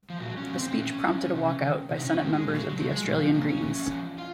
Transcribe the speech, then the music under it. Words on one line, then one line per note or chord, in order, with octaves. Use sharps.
The speech prompted a walk out by Senate members of the Australian Greens.
F3
A#2 F#3
C#4
F3
A#3
C4
C4
A#2 C#4
F3
C3
D#3
C3
D#4
C#4
D#3 C4
A#3
G#3
A#2 F#3
F#3
G#3
F3 F#3
G#3
A#2 F#3
F3
F3 A#3
C#4
A#2
F3
F4